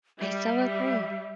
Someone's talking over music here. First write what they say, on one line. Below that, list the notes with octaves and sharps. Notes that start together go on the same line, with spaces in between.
I so agree.
G3 E5